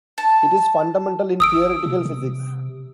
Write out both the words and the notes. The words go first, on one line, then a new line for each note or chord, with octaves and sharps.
It is fundamental in theoretical physics.
A5
G#1 D#6 E6 D7
C3
C3